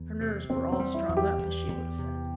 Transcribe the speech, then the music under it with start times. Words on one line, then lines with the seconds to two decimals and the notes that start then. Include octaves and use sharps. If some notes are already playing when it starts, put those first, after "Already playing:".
Her nerves were "all strung up," as she would have said.
Already playing: E2
0.21 C3
0.49 E2 C4
0.72 C4
0.80 G3
0.94 E4
1.09 E2
1.17 G4
1.38 E2
1.68 E2
1.99 C3